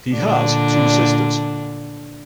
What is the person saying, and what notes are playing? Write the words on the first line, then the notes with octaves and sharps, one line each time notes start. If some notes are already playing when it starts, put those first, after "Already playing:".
He has two sisters.
A#2 D3 D4